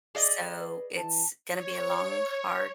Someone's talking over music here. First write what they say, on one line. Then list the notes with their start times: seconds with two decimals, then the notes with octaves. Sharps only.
so it's gonna be a long, hard
0.15 G#4 D5 D#5
0.61 B4
0.97 E3 A5
1.49 C#5